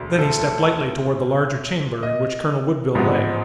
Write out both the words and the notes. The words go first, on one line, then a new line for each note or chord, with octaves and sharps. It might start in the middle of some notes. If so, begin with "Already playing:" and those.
Then he stepped lightly toward the larger chamber in which Colonel Woodville lay.
Already playing: E1 D2
A4
D#5
A1 G#2 F3 G#3 B3